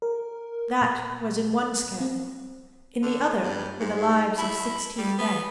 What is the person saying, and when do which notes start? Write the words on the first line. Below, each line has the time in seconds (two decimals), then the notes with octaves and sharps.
That was in one scale; in the other were the lives of sixteen men.
0.02 A#4
0.81 A#2
2.00 C4
3.03 D3
3.43 G2
3.80 G#2
4.38 E4
4.98 G3
5.18 B3